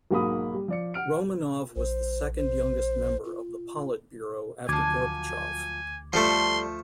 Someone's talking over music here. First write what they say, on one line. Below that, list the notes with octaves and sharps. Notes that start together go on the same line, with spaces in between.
Romanov was the second youngest member of the Politburo after Gorbachev.
B1 G#2 A#3 F#4 B5 D#6
G3
F3 D5 C#7
F#5 F6 D7
A#1 C5
C5
F4
D2 F3 F#3 G#5 D6 G#6
F3 G3 A3 A4 C6